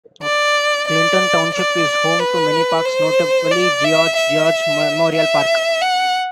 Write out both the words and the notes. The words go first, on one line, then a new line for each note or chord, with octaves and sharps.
Clinton Township is home to many parks, notably George George Memorial Park.
D5
D5
D5
B4
C5
D5
E5
E5
E5
F#5